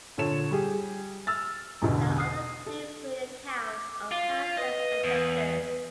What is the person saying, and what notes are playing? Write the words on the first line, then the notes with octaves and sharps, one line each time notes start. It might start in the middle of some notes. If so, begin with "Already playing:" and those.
There are other differing accounts of Halfdan's ancestors.
A#2 D3 A4 C#5 E7
G3 G4 G#4
E6 F6 A6
A1 E2 B2 D3
D#6 C7
A4
D6
F4
B4 D#5
E2